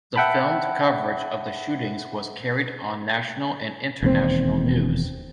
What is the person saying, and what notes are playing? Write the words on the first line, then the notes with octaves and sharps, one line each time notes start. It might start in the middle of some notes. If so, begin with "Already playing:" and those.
The filmed coverage of the shootings was carried on national and international news.
E5 F#5 G5 A5 B5
E1 D#2 C4